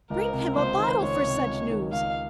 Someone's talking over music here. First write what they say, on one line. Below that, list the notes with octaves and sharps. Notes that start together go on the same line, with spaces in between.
Bring him a bottle for such news!
C#2 A#4
C3
C#2 C5
D#3
C#2 C#5
C3
C#2
D#3
C#2 F5